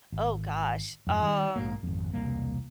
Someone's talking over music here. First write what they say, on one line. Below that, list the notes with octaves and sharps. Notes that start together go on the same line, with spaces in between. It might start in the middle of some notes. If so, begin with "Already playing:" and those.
Oh gosh. Um.
G#1
F2 G#2
D#3 G3
A#1 G#2 A#3
G#1 F2
E1 C2 A#3